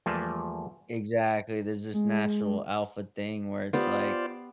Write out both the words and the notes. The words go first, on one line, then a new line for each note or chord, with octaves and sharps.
exactly. There's this natural alpha thing where it's like
E2 F3 G3 A3 A#3
G#3
B3 F4 G4 B4 C5 D5